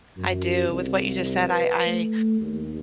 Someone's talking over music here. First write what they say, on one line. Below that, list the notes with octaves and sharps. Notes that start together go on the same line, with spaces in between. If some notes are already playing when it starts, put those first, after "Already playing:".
I do. With what you just said, I
F#2
C2
B4
A3
D#2